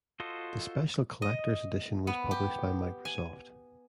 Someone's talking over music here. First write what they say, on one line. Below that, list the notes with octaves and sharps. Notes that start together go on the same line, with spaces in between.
The special collectors' edition was published by Microsoft.
F4 F#4 A4 C5 D#5
D#5
B3
G4
G#5